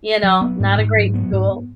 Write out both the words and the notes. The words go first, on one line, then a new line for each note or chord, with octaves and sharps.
you know, not a great school."
F#3
B3
G#2
G#2
F#3
B3
G#2